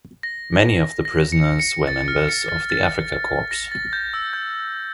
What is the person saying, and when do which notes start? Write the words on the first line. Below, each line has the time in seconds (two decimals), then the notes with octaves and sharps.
Many of the prisoners were members of the Afrika Korps.
0.23 A#6
1.05 A#6
1.32 C#7
1.60 C#7
1.88 A6
2.08 F6
2.29 C#7
2.49 A6
2.70 A6
3.51 A#6
3.72 A6
3.93 G6
4.14 E6
4.33 G6